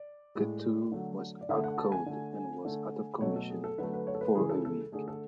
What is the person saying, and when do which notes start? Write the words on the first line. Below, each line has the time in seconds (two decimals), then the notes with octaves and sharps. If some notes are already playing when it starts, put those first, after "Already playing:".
Coutu was out cold and was out of commission for a week.
Already playing: D5
0.35 A2 G#3
0.92 D3 F#3 A3
1.41 D5
1.49 D3 A3 E5
1.64 F#5
1.78 A5
1.92 G#5
2.06 D3 A3
2.65 D3 A3
3.21 B2 F#3 A3 C#5
3.36 A4
3.50 G#4
3.64 A4
3.78 D3 F#3 A3 B4
3.93 B4
4.07 C#5
4.15 A4
4.21 B4
4.35 C#3 E3 G#3 G#4
4.49 A4
4.65 A4
4.92 D3 A3 G#4
5.08 A4